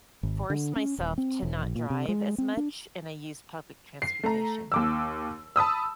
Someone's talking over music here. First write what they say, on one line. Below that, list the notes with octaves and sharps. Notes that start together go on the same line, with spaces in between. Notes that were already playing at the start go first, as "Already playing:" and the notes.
force myself to not drive as much, and I use public transportation.
G#1
D3
C#4
D#1
C4
E1
A#1
A#2
C3
G#3
C4
D4
C7
A3 A#5
D#2 D6 E6
A5 B5 D#6 E6